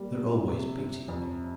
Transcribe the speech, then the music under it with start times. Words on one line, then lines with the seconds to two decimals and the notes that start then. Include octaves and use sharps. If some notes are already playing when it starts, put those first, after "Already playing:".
"They're always beating me."
Already playing: G3 A#3
0.17 C3
0.48 C3
0.78 C3
1.08 F2